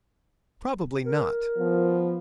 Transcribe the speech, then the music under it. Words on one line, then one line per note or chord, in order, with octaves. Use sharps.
Probably not.
A#4
F3 B3